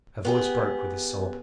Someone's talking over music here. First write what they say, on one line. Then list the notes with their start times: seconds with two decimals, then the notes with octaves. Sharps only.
Her voice broke with a sob.
0.25 B3 G4 G#4